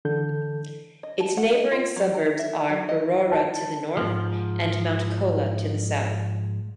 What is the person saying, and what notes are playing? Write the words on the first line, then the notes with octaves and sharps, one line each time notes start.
Its neighbouring suburbs are Berowra to the north, and Mount Colah to the south.
D3 E3 A4 G6
D#5
A5
F#5
D#5
F4
F#3
A#5
E5
F#3
D#5
A5
G#2 F3